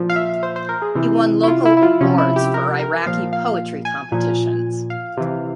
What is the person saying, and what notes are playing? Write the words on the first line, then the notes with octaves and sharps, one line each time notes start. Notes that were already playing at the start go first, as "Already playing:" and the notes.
He won local awards for Iraqi poetry competitions.
Already playing: A#2 F3
F5
E5
C5
C5
A#4
G#4
C3 E3
E4
F4
E4
E4
F4
C3 F3 C#4
E4
G4
A#4
A#4
A#2 F3 F5
F5
G#5
A#2 F3
F5
C3 E3